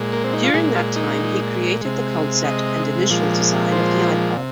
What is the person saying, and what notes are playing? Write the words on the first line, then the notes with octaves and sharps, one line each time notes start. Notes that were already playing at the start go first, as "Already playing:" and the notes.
During that time, he created the concept and initial design of the iPod.
Already playing: A#2 G#3
A#3
C4
D#4
F4
A#2 G#3 G#4
F4
D#4
C3 G#3
D#5
A#2 F3 G#3
C5
C3